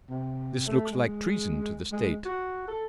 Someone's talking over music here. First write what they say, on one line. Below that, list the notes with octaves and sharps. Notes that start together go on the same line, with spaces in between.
This looks like treason to the state.
C3
A3
G#3
G#3
F#4
A4